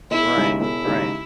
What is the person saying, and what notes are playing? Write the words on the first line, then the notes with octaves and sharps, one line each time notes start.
Right, right,
E1 E4
D#2 C#3 G#3 D#4
E1 E4
D#2 C#3 G#3 D#4